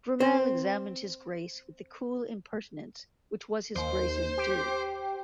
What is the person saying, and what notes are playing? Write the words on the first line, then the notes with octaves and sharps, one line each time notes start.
Brummell examined his Grace with the cool impertinence which was his Grace’s due.
C4 C5
D#2 C5
G4